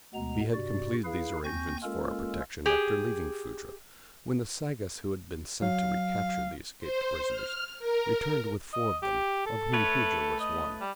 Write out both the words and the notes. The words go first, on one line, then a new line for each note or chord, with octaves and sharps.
We had completed these arrangements for our protection after leaving Phutra when the Sagoths who had been sent to recapture the escaped prisoners returned with four of them, of whom Hooja was one.
D2 B2 G#3 B3 A#5
G2 C3 F#4 D5
E4 G#4 B4 F5
D#2 C4 G#5 C#6 G6 A#6
G#3 A#3 C#4 F4 A4 A#4
G4 G#4
F#3 F5
C5
F6
A#4
D#5
G4
A4
A3 B4 C#5
D#5
G3